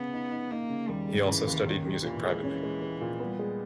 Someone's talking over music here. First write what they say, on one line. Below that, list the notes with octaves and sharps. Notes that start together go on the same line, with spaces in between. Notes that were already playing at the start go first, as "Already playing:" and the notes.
He also studied music privately.
Already playing: C#3 B3
D#4
D#4
A#3 D#4
C#3
D#2 G3
G#3
C#3 E3
D#2
D#3 C#4
G4
A#2 E3
G#3
C#4
G#3
G#3
A#2
G3 B3
G#3